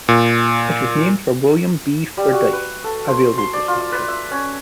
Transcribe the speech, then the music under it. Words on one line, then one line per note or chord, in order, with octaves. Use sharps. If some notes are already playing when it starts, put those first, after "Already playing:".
It was named for William B. Fordyce, a railroad dispatcher.
A#2
G3
F#4
B4
A4
C5
C6
D5
F4
B4
E5
C#4